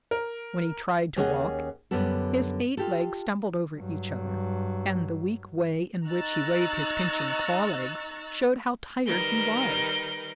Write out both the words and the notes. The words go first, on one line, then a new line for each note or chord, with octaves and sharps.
When he tried to walk, his eight legs stumbled over each other, and the weak way in which he waved his pinching-claw legs showed how tired he was.
A#4
D#2 C#4 G#4 C#5 D#5 F#5
F#2 D3 G3 B3 A4
F4 G4 A4
G2 F#3
D#4 A#5 C#6 E6 F#6 A6
D#3 G3 A#4 B4 G6